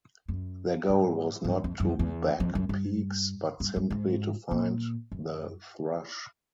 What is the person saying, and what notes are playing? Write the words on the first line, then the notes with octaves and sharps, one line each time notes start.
Their goal was not to bag peaks but simply to find the thrush.
F#2
G#2
G#2
G2
F2
F#2
F2
E2
F2
F#2
G2
G2
G2
G#2
A#2
F#2